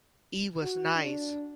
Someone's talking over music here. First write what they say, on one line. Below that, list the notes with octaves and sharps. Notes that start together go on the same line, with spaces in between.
E was nice.
F#4
D4